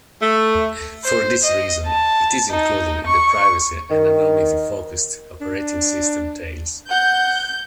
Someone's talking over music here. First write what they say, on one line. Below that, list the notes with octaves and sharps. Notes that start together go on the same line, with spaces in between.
For this reason it is included in the privacy- and anonymity-focused operating system Tails.
A3
C5
D#5
A5
D#4
C#6
D#3
D4
F#5 G6